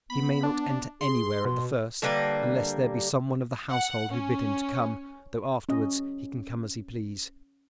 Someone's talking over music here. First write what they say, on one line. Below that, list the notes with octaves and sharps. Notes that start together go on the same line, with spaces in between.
He may not enter anywhere at the first, unless there be some one of the household who bid him to come; though afterwards he can come as he please.
B3 B5
D4
G#4 C6
B2 C6
D3 G3 A#3 B4
F#5
C#4
C#4 D#5